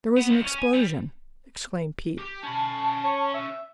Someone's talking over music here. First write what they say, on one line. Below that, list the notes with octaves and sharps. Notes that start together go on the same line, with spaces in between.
"There was an explosion!" exclaimed Pete.
B3
C#2
C#4
G#5
G3
G4
C#4 A5 B5
C#5
E5